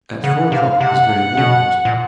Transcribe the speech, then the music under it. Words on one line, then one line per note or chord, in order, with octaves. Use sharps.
"At four o'clock--it was very warm, wasn't it?"
C#3 F#5
C3 F5
C3 F#5
B2
A#2